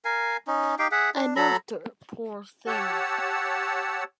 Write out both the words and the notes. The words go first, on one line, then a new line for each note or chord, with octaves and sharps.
I nursed her, poor thing!
A#4 F5 G#5
C#4 D#4
D#4 G4 F5 G5
G#4 E5 F#5
D4
F#3 A4 A#5 B5
G4 C#5 F#5 A5 E6